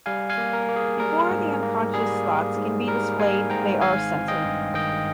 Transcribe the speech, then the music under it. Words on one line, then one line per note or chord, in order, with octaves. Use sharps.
Before the unconscious thoughts can be displayed they are censored.
G3 F5 G#5
F5 G#5
A#3
A#4
A#3
G#4
G3 A#4
G#2
A#3
G3 G#4
A#3
G#2
G3 A#4
G3 F5 G#5
G#2 G5 A#5
G#1 F5 G#5
G#1
D#5 G5
G2
D#3 D#5 G5